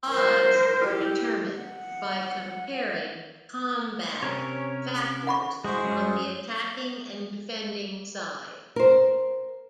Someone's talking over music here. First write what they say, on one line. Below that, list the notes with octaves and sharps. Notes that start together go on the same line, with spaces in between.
Odds are determined by comparing combat factors on the attacking and defending side.
A#4 C5
E4 G4
F#5
C3 C#4 A#4 C#5
F#5 B5 C#6
G#3 E4 F#4 G#4 C5
F#2 F#3
A#4 C5